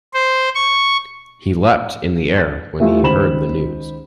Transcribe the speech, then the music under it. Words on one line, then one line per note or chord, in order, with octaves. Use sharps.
He leapt in the air when he heard the news.
C5
C#6
A6
E3 G3 A3 F4
C#2 D#3 C5 B5 E7 F#7